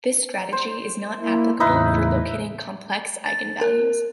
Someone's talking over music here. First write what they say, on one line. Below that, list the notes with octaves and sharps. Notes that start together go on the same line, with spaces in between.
This strategy is not applicable for locating complex eigenvalues.
C5
A#3 E4
E2 A2 C#3 D#4 E4 B4
A6
A#4